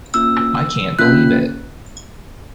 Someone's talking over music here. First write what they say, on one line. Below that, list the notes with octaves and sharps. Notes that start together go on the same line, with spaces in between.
I can’t believe it!
A#3 C#4 F4 E6
A#3 C#4 F4 F#6